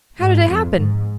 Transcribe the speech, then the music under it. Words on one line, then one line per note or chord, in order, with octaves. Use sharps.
"How did it happen?"
G#2
F2
G#2